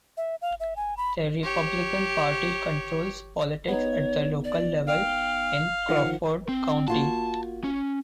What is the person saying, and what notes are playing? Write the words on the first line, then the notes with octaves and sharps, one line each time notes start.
The Republican Party controls politics at the local level in Crawford County.
E5
F5
E5
G#5
B5
G4 C#5
B3 D#4 C#5
D5
F5 G5
D#3 F3 F#5
C4
A#3 F4 F#4 A5
C#4